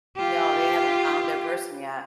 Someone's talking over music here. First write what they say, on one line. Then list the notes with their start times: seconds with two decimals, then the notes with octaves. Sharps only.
No, they haven't found their person yet.
0.16 F4 G4